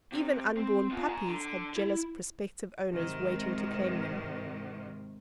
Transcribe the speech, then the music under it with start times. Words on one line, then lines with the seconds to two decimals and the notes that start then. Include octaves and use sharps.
Even unborn puppies had jealous prospective owners waiting to claim them.
0.12 C3
0.57 C4
0.91 B3 F4
1.09 G#5 A#5
1.28 D3
1.76 E4
2.92 G#2 C3 D#3